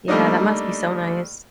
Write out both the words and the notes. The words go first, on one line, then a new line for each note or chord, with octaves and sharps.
Yeah, that must be so nice.
G3 A3 A#3 D4 D#4